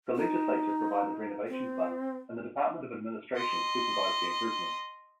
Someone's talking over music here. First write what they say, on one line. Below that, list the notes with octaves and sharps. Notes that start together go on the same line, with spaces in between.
The Legislature provided renovation funds and the Department of Administration supervised the improvements.
D#4
C4
D#5 C6